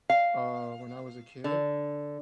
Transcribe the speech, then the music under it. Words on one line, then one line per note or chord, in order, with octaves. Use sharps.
uh, when I was a kid,
F5
D3